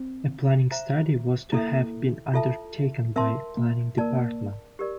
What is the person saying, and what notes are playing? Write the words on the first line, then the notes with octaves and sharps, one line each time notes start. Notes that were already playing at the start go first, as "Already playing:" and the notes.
A planning study was to have been undertaken by the Planning Department.
Already playing: C4
C5 E5 A#5
A#3 E4 A4 E5
F4 A4 E5 A5
C4 A#4 E5 A5 C6
A#3
A#3 A#4 D5 A5
G4 A#4 D5